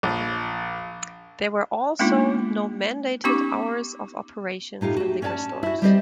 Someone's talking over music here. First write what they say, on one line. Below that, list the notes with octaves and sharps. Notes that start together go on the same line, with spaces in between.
There were also no mandated hours of operation for liquor stores.
A#1
G#3 A#3 B3 D4 D#4 F4
B3 C#4 D#4 G4 C#6 D6
A2 D#4 F4 G4
F#4 G4
C#4 C#5 D5 G5 A5
E4 F#4
G3 C4 G4 C5 D5 D#5